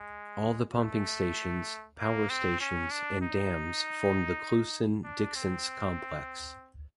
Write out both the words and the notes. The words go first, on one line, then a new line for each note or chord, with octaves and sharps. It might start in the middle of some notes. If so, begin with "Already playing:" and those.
All the pumping stations, power stations and dams form the Cleuson-Dixence Complex.
Already playing: G#3
A3
A#3
C4
C#4
D4
D#4
D4
C4